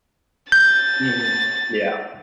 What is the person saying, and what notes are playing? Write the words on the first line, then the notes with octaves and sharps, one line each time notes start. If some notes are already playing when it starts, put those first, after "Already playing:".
Mhm, yeah.
G6 A6